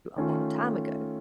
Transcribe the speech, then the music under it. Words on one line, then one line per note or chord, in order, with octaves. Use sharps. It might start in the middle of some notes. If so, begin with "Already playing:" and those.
a long time ago,
D#3 A3 C#4 F4